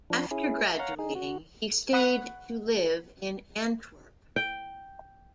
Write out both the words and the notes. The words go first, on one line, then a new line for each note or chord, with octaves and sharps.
After graduating, he stayed to live in Antwerp.
F3 D4
C#4 E4 G#4
C#5 F5 F#5 A#5
D#4 G#4
F#4
F#5 B5 D#6
G5